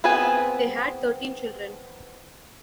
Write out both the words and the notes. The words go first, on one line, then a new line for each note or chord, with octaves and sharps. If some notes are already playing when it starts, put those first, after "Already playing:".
They had thirteen children.
B3 C4 G#4 B4 G#5